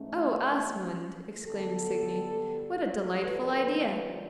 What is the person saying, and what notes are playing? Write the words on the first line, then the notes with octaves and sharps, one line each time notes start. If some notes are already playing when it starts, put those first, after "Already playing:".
'Oh, Asmund!' exclaimed Signy, 'what a delightful idea!
Already playing: G#2 E3 A3 C#4
D3 G3 B3 G4 A4
F#2 D3 F3 A#3 A4 B4